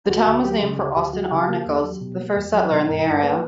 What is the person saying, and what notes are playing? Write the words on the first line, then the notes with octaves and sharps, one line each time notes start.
The town was named for Austin R. Nichols, the first settler in the area.
D2 F#4
D2
F#3 G4
C#3
D2 G4
D2 G4
F#3 F#4
C#3 G4
A#3
E2
F#3
B2
A#3
E2
F#3
B2
G2 A#4
G2
A#3 B4